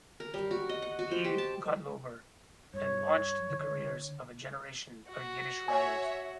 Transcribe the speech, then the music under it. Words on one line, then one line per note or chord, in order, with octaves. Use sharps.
B. Gotlober, and launched the careers of a generation of Yiddish writers.
A#4
G3
F#4
D#5
F#5
F#4
C5
G4
A5
G2 C#5
D3
F#4
C#5 E5 G#5